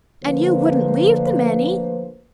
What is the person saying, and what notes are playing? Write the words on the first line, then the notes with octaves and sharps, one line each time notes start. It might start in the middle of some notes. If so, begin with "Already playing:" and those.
And you wouldn't leave them any?
D2 D3 F3 A#3 B4 C5